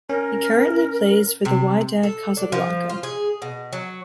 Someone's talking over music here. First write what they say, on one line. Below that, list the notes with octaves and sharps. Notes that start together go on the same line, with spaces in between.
He currently plays for Wydad Casablanca.
C#4 A#4
C3
A4
D4
F3
F4
G#4
B2
F#3